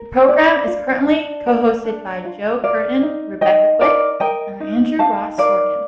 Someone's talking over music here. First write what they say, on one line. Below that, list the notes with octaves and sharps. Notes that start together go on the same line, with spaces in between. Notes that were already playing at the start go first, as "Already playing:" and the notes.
The program is currently co-hosted by Joe Kernen, Rebecca Quick, and Andrew Ross Sorkin.
Already playing: A#4
D4 D5
F4
D4
A#4
D4
F4
A#4 D5 F5
D#4
D#4 D#5 G5
A#4 D5 F5
A#4 D#5 G5
D#4
D#4 F5 A5
A#4 D5 F5